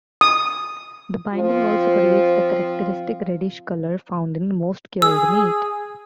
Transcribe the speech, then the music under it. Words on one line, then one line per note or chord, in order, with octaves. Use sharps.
The binding also creates the characteristic reddish color found in most cured meat.
D#6
F3 C4 F4
G#4 E6